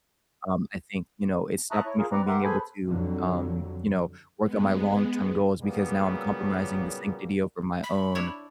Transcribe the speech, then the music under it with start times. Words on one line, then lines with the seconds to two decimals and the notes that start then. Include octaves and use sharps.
Um, I think, you know, it stopped me from being able to, um, you know, work on my long-term goals because now I'm compromising the sanctity over my own,
1.71 E5 A5 A#5 C#6 D#6 F#6
1.86 E4 C#5
1.98 F4 G#4 A#4
2.12 C4 B4 D5 A#5
2.28 G4 A#4 E5 F#5 C6 D6
2.44 G#4 A4 B4 C5 G#5 B5
2.84 F2 D3 F#3
4.41 G#3 B3
5.62 A#2 C#3 F#3 G3 A#3 B3
7.83 B5
8.15 D4 E4 C#5